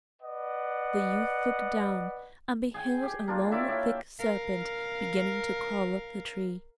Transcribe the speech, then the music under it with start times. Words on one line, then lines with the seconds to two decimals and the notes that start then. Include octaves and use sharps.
The youth looked down and beheld a long thick serpent beginning to crawl up the tree.
0.22 B4 D5 D#5 F#5
2.74 G#4 G5 G#5
3.02 G4 G#4
3.28 A#3 D4 F4
3.52 E4 C#5 D5 E5
3.68 D5 E5 F5 G5
4.19 A#4 F5